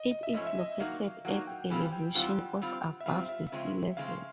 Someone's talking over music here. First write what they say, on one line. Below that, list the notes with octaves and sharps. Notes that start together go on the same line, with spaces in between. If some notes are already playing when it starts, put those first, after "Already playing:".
It is located at elevation of above the sea level.
Already playing: D#5
D#5
E5
G#2 F3 A3 C#4 D#5
E5
D#5
F#3 A#3 D#4 F#4 F5
F#3 A#3 D#4 F#4 F#5
G5
G5
E3 G3 C4 F4 G#5
G5
E3 G3 C4 F4 F#5
G3 C4 F4
E5
G3 C4 F4 F5
E5
C#3 F3 G#3 C4 F4
C#3 F3 G#3 C4 F4 F5